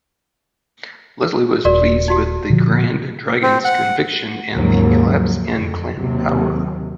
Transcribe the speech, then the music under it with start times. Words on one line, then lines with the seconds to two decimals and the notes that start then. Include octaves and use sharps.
Leslie was pleased with the Grand Dragon's conviction and the collapse in Klan power.
1.65 D#1 F#4 A#4 D5
2.08 D#4 F#4 G4
2.50 A#2 D3 F3
3.43 C4
3.64 F#5
4.54 D#2 G#2 C#3 F3 F#3 A#3
5.54 F2 D3
5.95 D#2 C3 F#3